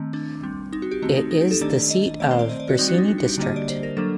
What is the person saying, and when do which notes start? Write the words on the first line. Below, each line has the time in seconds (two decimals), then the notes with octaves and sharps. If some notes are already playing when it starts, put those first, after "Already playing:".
It is the seat of Briceni District.
Already playing: D#3 A3 C4
0.14 D4
0.43 G3 C4
0.73 D#4
0.82 F#4
0.91 G4
1.02 D#3 A3 C4 F#4
1.17 D#4
1.31 D#4
1.41 G4
1.51 A4
1.61 D#3 A3 D4 D5
1.90 D#5
2.20 D#3 A3 C4 D5
2.31 C5
2.39 D5
2.49 D#5
2.60 D5
2.69 F#4
2.79 G3 C4 D#4
2.88 F#4
2.94 D4
2.98 D#4
3.08 F#4
3.18 F#4
3.28 G4
3.38 D3 G3 A#3 D4 D#5
3.56 D5
3.70 C5
3.83 A#4
3.97 F#3 A#3 D4 A4